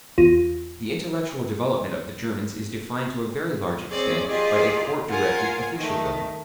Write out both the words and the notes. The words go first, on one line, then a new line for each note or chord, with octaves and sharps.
The intellectual development of the Germans is defined to a very large extent by a court-directed officialdom.
E2 F4 A#6 D#7 E7
C4 G#4 C#5 D5
F4 G4 G#4 D5 D#5
F4 A#4 F#5 G#5
D#3 A3